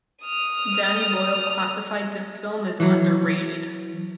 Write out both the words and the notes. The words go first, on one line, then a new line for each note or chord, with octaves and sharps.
Danny Boyle classified this film as underrated.
D#6 F6
E3 F#3